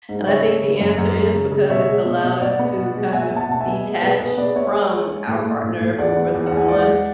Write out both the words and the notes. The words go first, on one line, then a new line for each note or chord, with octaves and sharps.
And I think the answer is because it's allowed us to kind of detach from our partner if we're with someone
G#2
C#3 C#5 E5
G#3
C#3
F#2
F#2
G#3
C#3
C#3
B2 C#5 E5
G#3
B2
B2
B2 D5 F#5
B3
B2
G#3
B2 E5 G#5
B2
F#5 A5
B2 A5
E5 G#5
B3
G#3
B2 G#4 B4
B2 G#4 B4
B3 B4 D5
B3 C#5 E5
G#3
G#3
G#3
A2
A2
A2
A2
E2 D5 F#5
B3
E2
F#5
E2
G#5
G#3 D5 F#5
G#3